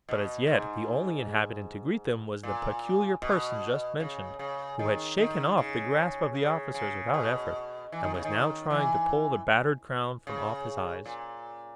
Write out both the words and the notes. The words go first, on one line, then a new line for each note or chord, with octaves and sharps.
But as yet the only inhabitant to greet them was the Peculiar Person just mentioned, who had shaken off the grasp of the officers without effort and was now trying to pull the battered crown from off his eyes.
B2
G#2
A#2
B2
C#3
C#3
D#3
D#3
C#3
C#3
C#3
B2
E3
D#3
C#3
D#3
E3
C#3
A#2